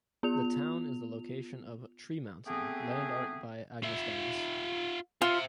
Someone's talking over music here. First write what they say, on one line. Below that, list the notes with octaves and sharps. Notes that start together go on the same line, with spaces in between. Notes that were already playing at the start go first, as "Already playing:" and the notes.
The town is the location of "Tree Mountain", Land Art by Agnes Denes.
B3 F4 F7
A3 B3 C4 G4 G#4
F4 E5
F4 C5 E5